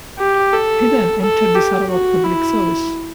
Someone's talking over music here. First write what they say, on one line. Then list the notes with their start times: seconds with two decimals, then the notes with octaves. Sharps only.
He then entered the Sarawak public service.
0.19 G4
0.53 A4
1.22 A4
1.55 G4
1.90 F#4
2.24 E4